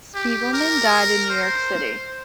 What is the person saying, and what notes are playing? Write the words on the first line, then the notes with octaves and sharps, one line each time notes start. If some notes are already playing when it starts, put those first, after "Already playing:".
Spiegelman died in New York City.
G4
A#4
C5